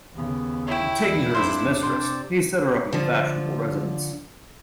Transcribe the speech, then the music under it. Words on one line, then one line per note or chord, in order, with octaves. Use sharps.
Taking her as his mistress, he set her up in a fashionable residence.
D#2 C#3 B3
E4 C#5 G5
E2 G3 E5
F2 D4 C5 E5 B5
C3 C5 D5
D3 F3